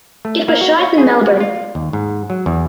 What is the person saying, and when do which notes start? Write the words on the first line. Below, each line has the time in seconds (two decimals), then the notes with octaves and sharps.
It was shot in Melbourne.
0.25 A3
0.48 A#3
0.61 F#4
0.79 C#5
0.98 G#4
1.26 F#4
1.40 F4
1.75 D#2
1.93 G#2
2.30 F#3
2.46 E2